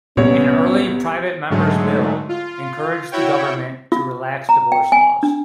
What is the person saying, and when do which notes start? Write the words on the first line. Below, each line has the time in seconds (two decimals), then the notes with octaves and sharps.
An early private member's bill encouraged the government to relax divorce laws.
0.17 C2 A#2 B3 C#4 C#5
1.50 G#2 D3 F#3 G#3 A3
2.29 F4
3.12 E4 F#4 C#5 G5
3.92 F4
4.49 A#5
4.72 G5
4.92 G#5
5.23 D4